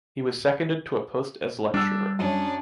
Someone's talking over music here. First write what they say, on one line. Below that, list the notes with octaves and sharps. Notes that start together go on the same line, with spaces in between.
He was seconded to a post as lecturer.
G3 D4 E6
F#2 C#4 D4